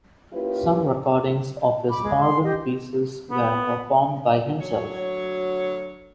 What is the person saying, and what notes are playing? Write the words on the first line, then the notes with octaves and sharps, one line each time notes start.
Some recordings of his organ pieces were performed by himself.
A#3 C#4 E4 F4 G4 B4
B5 D6
G#3
C6
G4 D#5
B3
D2 F#3 C#5